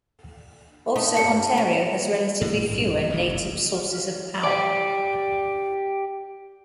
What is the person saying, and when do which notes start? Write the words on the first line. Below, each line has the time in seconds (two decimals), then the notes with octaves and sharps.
Also, Ontario has relatively fewer native sources of power.
0.96 A3 D#4
1.17 G2 A#3 C#7
1.57 C#4
2.41 A2 D#3 A#3
2.71 B1 G2
3.09 F1 A#1 F#2 C#3
4.44 G4 D5